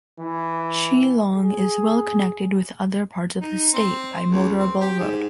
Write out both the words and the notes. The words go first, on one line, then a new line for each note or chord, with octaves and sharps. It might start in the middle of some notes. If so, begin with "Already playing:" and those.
Shillong is well connected with other parts of the State by motorable road.
E3
G#4
D#4
C4
C#2
C4
G4
G#2